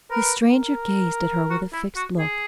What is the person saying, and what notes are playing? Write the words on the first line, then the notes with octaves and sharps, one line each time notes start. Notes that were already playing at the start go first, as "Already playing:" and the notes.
The stranger gazed at her with a fixed look.
A#4 B4
A#4
F#4
E4
F#4
G#4